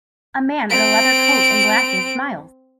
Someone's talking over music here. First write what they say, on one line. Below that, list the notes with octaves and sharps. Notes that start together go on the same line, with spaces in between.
A man in a leather coat and glasses smiles.
C4 D7